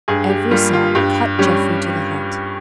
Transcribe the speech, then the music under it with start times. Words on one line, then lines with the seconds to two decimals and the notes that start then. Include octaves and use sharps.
Every sob cut Jeffrey to the heart.
0.08 G2 G#4
0.29 G4
0.51 G3 A#3 F4
0.73 F4
0.95 G2 G4
1.39 G3 C#4 G4